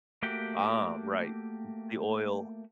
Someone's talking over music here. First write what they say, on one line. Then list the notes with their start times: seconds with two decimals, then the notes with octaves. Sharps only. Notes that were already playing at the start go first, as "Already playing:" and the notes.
Ah, right. M the oil.
0.23 A3 A#3 F#4 G4 G5